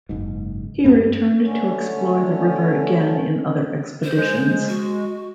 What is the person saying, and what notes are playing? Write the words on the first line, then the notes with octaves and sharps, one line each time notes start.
He returned to explore the river again in other expeditions.
F#1 G#2
G2 A#3 B3
D3 A3 C#4
C5
G#3
F#4